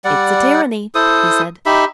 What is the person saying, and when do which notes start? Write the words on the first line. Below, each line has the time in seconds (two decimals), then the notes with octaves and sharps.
"It's a tyranny," he said.
0.05 G3 D5 F#5
0.95 E4 A4 C5 D#6
1.66 D#4 G4 E5 B5